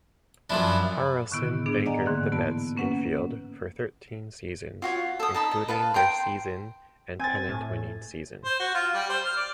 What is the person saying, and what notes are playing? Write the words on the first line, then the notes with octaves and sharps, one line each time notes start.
Harrelson anchored the Mets' infield for thirteen seasons, including their season, and pennant-winning season.
F#2 F3 D4 E4
A2 D3 D#3 B3 E4
B3 D4 G#4
D5 D#5 F#5 G#5 A#5
G#2 D3 E3 A#3
B3 E4 A5
A#3 C#4 B4 F#5
F4 F#4 C#5
A4 D#6
D#4 A5 B5
D#5
B4 F5 A5
G5 A#5 C6
C4 G#5 A6
A2
C5
F#4
F4
G3
C5
F6
D5